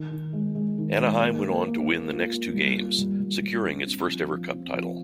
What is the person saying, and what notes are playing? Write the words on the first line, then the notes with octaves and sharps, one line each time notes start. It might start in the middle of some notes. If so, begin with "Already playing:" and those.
Anaheim went on to win the next two games, securing its first-ever Cup title.
Already playing: D#3
D#3
G#3
G#3
D#3
G#3
A#3
A#3
A#3
A#3
F4
A#3
G3
F4
G3
G3
G3
D4
C4
F3
F3
C4
F3